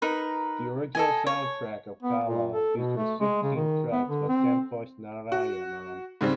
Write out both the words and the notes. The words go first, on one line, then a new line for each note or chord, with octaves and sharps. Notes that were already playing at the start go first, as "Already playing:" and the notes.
The original soundtrack of "Kaala" features fifteen tracks by Santhosh Narayanan.
D#4 A#4 B4
A4 D#5 G#5
C#5
B3
A#2
A4
B2
A3
G#3
C#3
D#3
B3
D3
C4
F#4
G#2 C#3 G3 C4